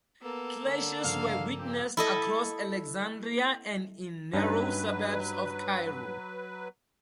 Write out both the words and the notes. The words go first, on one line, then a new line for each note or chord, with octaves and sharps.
Clashes were witnessed across Alexandria and in narrow suburbs of Cairo.
A#3 B3 A4
D3
G2 C#3 F3 F5
A#2 C4 G4
E4 A4 D#5
G2 F#3 C#4 D#4 B4